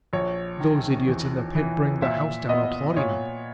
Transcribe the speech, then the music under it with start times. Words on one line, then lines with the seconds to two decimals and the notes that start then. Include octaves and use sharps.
Those idiots in the pit bring the house down applauding them.
0.13 A#1 C#5
0.60 D#3
1.08 E2
1.55 E3
2.02 A#2 E5
2.49 B3 D#5
2.97 A#2 C#5